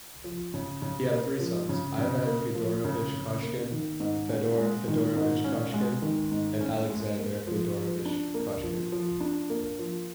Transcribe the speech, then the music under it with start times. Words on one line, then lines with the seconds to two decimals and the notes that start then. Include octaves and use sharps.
He had three sons: Ivan Fyodorovich Koshkin, Fedor Fedorovich Koshkin, and Alexander Fyodorovich Koshkin.
0.24 F3
0.54 C#3
0.82 C#3
1.11 A#3
1.40 F3
1.69 C#3
1.98 C#3
2.27 A#3
2.55 F3
2.85 C#3
3.13 C#3
3.43 A#3
3.72 D#3
4.00 G#2
4.29 C#4
4.58 G#3
4.88 D#3
5.16 G#2
5.44 C#4
5.74 G#3
6.02 D#3
6.31 G#2
6.61 C#4
6.90 G#3
7.19 A#3
7.47 F3
7.77 F3
8.05 D4
8.34 A#3
8.63 F3
8.92 F3
9.20 D4
9.50 A#3
9.79 F3